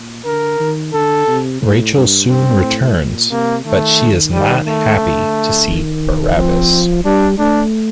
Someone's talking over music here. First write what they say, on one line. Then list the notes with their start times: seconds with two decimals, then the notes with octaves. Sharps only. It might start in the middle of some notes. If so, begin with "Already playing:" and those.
Rachel soon returns, but she is not happy to see Barabbas.
Already playing: A#2
0.25 D3 A#4
0.60 D#3
0.93 D3 A4
1.27 C3
1.61 A2
1.96 G2
2.29 G2 C4
2.64 A2
2.98 A#2
3.31 C3 A#3
3.65 D#3 A3
4.33 D#3 G3
4.67 A3
5.00 D3
5.69 D#3
6.36 F3 C4
7.05 G3 D4
7.39 A3 D4